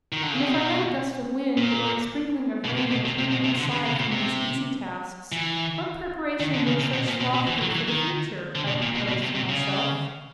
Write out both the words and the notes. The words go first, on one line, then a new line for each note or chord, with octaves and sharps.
"And if I let a gust of wind or a sprinkling of rain turn me aside from these easy tasks, what preparation would such sloth be for the future I propose to myself?"
D#3
D3
C#3
C3
B2
A#2
B2
C3
B2
C3
C3
B2
C3
D3
C#3
C3
A#2
C3
E3
D#3
D3
C#3
C3
B2
A#2
B2
B2
E3
F#3
E3
D#3
D3
B2
A#2
B2
B2
C3
C3
C#3